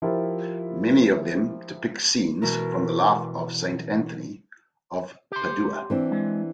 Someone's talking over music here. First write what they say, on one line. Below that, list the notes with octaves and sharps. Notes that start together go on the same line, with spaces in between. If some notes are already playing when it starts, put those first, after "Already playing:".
Many of them depict scenes from the life of Saint Anthony of Padua.
F3 E4 F4 G4 A#4 C5
B2 E3 A#4
G4 C6
E3 C4 D4
G#3